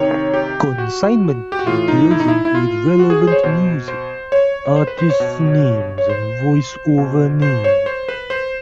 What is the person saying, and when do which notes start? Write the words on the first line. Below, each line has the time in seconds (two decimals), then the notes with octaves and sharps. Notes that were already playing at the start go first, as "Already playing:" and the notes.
Consignment details include relevant music, artists names and voice-over names.
Already playing: C3 D#3 C#5
0.34 G4
0.78 F#4
1.52 G4
1.59 F#4
1.66 A2 E3 F4
1.88 D#4
2.11 E4
2.20 D#4
2.28 E4
2.45 E4
2.55 F4
2.99 F#4
3.10 G#4
3.21 G#4
3.27 C5
3.32 C#5
3.43 B2 C5
3.88 C5
4.32 C#5
4.66 C#5
4.76 C5
4.87 B4
4.99 C5
5.10 C#5
5.20 B2
5.98 C#5
6.09 C5
6.98 B2
7.42 C5
7.64 C#5
7.86 C5
8.08 B4
8.30 C5